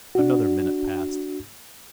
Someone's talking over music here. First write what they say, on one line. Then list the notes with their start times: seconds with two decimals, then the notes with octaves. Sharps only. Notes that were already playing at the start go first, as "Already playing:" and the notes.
Another minute passed.
0.15 D4 F#4